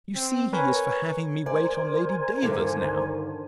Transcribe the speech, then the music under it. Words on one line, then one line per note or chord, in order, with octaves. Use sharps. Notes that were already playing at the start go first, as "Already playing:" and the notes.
You see he is for having me wait on Lady Davers now.
C4
A#4 B4 C#5 G#5
A#4 C5 D5 G#5
G2 D3 D#3